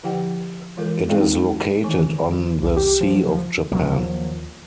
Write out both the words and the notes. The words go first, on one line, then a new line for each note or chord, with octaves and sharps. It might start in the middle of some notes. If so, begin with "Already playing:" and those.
It is located on the Sea of Japan.
D3 F3 E4 G4 F#5 G5
E3 G#3 F4 A4 A#4
G#3 C4 D#4 D5 F5 G5
D#3 E3 G#5 C#6
C2
G4
F3
F#3
F3
D#2 F3 F#3 A#3